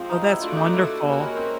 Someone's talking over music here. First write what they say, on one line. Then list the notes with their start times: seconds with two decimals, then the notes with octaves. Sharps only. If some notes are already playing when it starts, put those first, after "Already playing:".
Oh, that's wonderful.
Already playing: F3 G#3 C4 F4 G4
0.09 D#4
0.25 E4
0.41 A3 D4 F4 F#4 A4 D5
0.56 D#4
0.73 E4
1.04 G3 A#3 C#4 F#4 A#4
1.20 G#3
1.36 C4